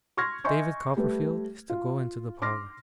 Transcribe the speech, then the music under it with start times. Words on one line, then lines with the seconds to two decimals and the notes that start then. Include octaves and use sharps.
'David Copperfield is to go into the parlour.'
0.17 C6 C#6 F6 G#6 A#6
0.44 D#5 E5 G#5 C6 C#6 G6
0.97 G3 A3 B4
1.70 F4
2.42 C6 D6 F6 A#6